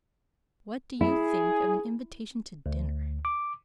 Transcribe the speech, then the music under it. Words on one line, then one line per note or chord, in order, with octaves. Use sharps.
What do you think of an invitation to dinner?
E4 G#4
D2
D6